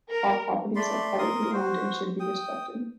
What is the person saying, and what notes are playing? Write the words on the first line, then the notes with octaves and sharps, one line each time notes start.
All properties are privately owned and should be respected.
A#4
A3 D5 B5 C6
A#4 C6 D#6
F#4 C5
G5 D#6